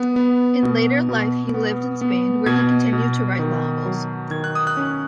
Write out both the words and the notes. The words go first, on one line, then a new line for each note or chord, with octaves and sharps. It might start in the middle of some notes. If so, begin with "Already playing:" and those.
In later life he lived in Spain, where he continued to write novels.
Already playing: B3
B3
B2
B2
B3
B3
B2 G#6
B2
D#3
F#3
D#3 G#6
F#6
D#6
F#6
C#4